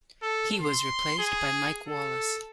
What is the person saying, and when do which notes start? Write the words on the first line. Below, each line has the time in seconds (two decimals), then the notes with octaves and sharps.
He was replaced by Mike Wallace.
0.22 A4
0.61 C6
1.19 G#4
1.88 A4